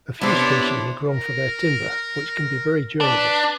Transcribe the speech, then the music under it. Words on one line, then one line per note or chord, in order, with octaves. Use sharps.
A few species are grown for their timber, which can be very durable.
C3 B3 D4 E4 C5 C#5
A#4
D4 B4